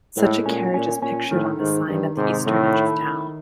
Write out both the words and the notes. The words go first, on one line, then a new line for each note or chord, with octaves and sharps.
Such a carriage is pictured on a sign at the eastern edge of town.
A2 G#3
A#2 C#4
A#2 C#4
A#2 C#4
A2 D#3
G#2 D#3
G2 D#3
G#2 C3
A2 D#3
E4
D#3